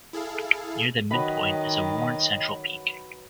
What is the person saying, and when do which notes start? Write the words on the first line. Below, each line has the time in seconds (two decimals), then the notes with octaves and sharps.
Near the midpoint is a worn central peak.
0.13 E4 G#4 A4 F5
1.11 D#3 F#3 B4 D#5 G5 B5